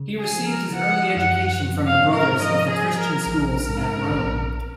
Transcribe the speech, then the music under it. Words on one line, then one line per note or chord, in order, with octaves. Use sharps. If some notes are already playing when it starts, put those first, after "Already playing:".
He received his early education from the Brothers of the Christian Schools at Rome.
Already playing: C#3
G#4
F3
A#4
F3 F#5
F#2 F#5
F3
F5
G#2
A#4
F3 D#5
G#4
F3
A#4
A#1 A#4
G#2
A#1